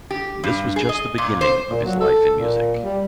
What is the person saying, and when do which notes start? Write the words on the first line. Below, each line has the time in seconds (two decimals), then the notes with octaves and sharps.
This was just the beginning of his life in music.
0.11 G4
0.44 G2
0.76 G#4
0.89 D#5
1.18 A#2
1.41 C5
1.70 A#2
1.84 F#3
2.00 A4
2.36 A#2
2.84 G3